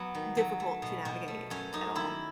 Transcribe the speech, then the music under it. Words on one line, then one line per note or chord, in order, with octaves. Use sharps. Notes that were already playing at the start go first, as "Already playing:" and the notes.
difficult to navigate, at all.
Already playing: F#3 B3
D#3
F#3
A3
B2
B2
A3
F#2 C#4
F#2 D#4
D#3 E4